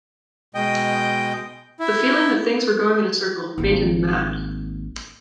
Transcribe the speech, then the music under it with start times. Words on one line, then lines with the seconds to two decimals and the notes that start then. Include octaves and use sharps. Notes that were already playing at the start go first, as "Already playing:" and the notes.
The feeling that things were going in a circle made him mad.
0.55 B2 G#3 D#5 G5
1.80 E4
3.58 G#1 A#3